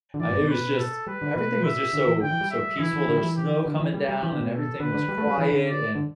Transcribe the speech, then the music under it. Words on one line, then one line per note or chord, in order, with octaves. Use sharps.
uh, it was just everything was just so so peaceful, there was snow coming down and everything was quiet and
D3
E3 D5
G2
B2
B4
A4
G3 B4
D3
B2 B4
E5
D3
E3
D3 G5
E3
G3
E5
E3 E4
E3
D3
G3
E3
G4
D3
E3
G3 G4
G3
E3
D3
B2
A4
D3 B4
D3
G3
A3
G3
E3
D3
D5
D3